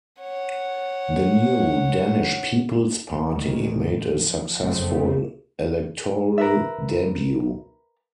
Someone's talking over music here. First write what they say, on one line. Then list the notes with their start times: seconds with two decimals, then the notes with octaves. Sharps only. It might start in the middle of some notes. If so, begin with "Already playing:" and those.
The new Danish People's Party made a successful electoral debut.
0.21 C#5 F#5
3.31 D2 A2 D#3 E3
3.95 F3
4.60 F#1 F2 C#3 A3 B3 C4
6.38 A#4 B4 E5